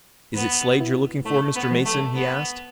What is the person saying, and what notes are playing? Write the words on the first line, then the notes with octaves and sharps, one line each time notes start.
"Is it Slade you're looking for, Mr. Mason?" he asked.
E2 B3
B2 B3 E4
A2 A3
B3
F3 G#3
A3
C2 B3